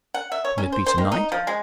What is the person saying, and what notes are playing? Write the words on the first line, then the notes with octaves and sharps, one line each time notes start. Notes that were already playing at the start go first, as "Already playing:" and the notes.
"Will it be to-night?"
F#5
E5
C#5
C#4
C5
C5
D#3
D#4
F3
G#3